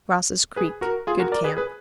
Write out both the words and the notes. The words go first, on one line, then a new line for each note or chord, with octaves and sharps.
Ross's Creek.--Good camp.
G#4 B4
F#4 A#4
F4 G#4
F#4 A#4
A#4 D5
G#4 B4
G#4 B4